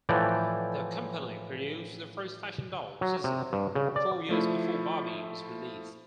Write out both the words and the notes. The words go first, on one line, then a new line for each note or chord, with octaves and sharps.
The company produced the first fashion doll, "Cissy", four years before Barbie was released.
A2 E3 F3 D5 G5
F#3
C3
G2
C#3
D5
F3 A3 E4